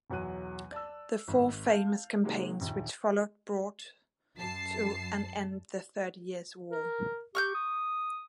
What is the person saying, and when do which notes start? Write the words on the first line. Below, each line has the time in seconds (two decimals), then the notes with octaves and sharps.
The four famous campaigns which followed brought to an end the Thirty Years' War.
0.10 B1 E2 F#3 F#6 D#7
0.72 D5 A5 E6
1.28 G#1
1.66 F5 A5 G6
2.24 C3 D#3 F#3 G#3 A#3
2.61 A#1 D#2
4.38 F#2 A5 C7
6.72 A#4
7.35 G4 C#6 F6 G6
7.55 D#6